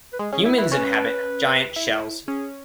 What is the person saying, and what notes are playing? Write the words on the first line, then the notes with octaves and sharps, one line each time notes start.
Humans inhabit giant shells.
B4
G#3 G#4
C#4 G#4
E4
E4 B4
C#4 B4
E4
C#4 G#4